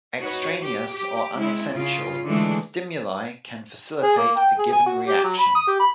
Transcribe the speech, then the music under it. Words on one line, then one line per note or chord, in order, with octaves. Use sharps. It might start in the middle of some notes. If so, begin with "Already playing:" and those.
Extraneous, or unessential, stimuli can facilitate a given reaction.
D#4 F#4 B4 C#5
G4
G4
G#3 C4 E4
C#3 F4
D3 E3 G#3 A3 D4
G#4
A#3
G5
G#4
G#5
F#4
G4
F#3
B5
D#6
G4
B5